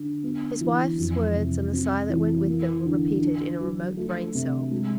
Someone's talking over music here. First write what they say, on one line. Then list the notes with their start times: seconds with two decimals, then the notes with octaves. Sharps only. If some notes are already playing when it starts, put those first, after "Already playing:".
His wife's words and the sigh that went with them were repeated in a remote brain cell.
Already playing: D3
0.24 B3
0.61 E3
0.98 F2
1.35 C3
1.73 C4
2.09 E3
2.47 A#3
2.85 D3
3.22 D4
3.60 F#3
3.97 A3
4.35 C3
4.71 G#3